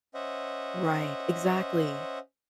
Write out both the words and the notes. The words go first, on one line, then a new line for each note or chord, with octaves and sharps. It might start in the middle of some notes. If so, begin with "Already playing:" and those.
Right, exactly,
C#4 C5 D#5 E5 F#5